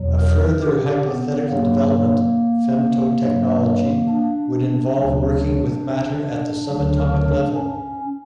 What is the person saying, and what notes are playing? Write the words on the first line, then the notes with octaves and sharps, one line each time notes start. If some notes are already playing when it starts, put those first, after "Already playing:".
A further hypothetical development, femtotechnology, would involve working with matter at the subatomic level.
Already playing: E2 B2 F#3
A#4
G4
B3
G2 F#3 A#3
G2 F#3
D4
D2 C#3 F#3
D2 D3 F#3 D4
A#4
D4
C#4